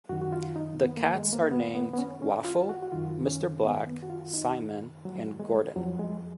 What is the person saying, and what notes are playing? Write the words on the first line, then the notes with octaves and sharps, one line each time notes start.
The cats are named Waffle, Mr. Black, Simon, and Gordon.
F#2 D#3 F#4
F#4
F4
D#4
B3
A#3
G#3
A#3
B3
B3
B3
C#4
C#4
F4
F#4
F#4
F#2 D#3 F4
C#4
B3
B3
F#4
F4
D#4
F#3
G#3
F2 F3 F#3
G#3